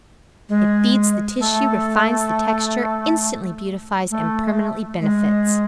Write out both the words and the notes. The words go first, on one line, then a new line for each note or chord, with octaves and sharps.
It FEEDS the tissue, REFINES the texture, INSTANTLY beautifies, and PERMANENTLY benefits.
G#3
A3
A3
G#3